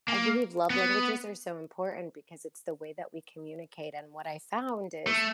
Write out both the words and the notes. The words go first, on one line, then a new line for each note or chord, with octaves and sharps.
I believe love languages are so important because it's the way that we communicate, and what I found is
A#3
B3
A3